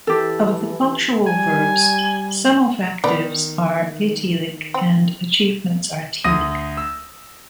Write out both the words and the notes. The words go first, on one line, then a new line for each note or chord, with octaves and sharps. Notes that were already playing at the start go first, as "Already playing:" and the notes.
Of the punctual verbs, semelfactives are atelic, and achievements are telic.
E3 G4 A4
G3 G#5
D#3 B3 D5
C4
D2 D#6 A#6 D#7
E6